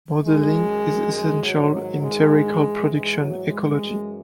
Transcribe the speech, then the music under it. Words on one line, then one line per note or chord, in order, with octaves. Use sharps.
Modelling is essential in theoretical production ecology.
F#2 D#3 G#3
G#3
G#2 D#3 F#3
F#3
G#3
G#2 E3
G#3
F#3
G#3
F#2 E3